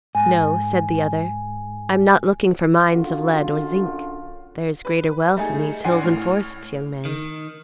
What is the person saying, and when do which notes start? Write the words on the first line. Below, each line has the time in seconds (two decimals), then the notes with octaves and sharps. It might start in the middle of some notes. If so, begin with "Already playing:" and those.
"No," said the other, "I am not looking for mines of lead or zinc; there is greater wealth in these hills and forests, young man."
0.15 G#2 G#5
2.91 F#2 D3 F4 F#4
4.85 B4
5.37 G3 A3 D#4 G#4
5.84 A1 D4 F#5 G#5 C6 C7
6.03 A2 F6
7.05 D#3